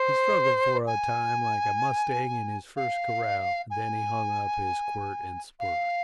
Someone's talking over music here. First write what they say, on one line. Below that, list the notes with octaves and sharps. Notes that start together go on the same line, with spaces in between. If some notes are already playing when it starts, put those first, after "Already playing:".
He struggled for a time like a mustang in his first corral, and then he hung up his quirt and spurs.
Already playing: C5
G#5
F5
G#5
F5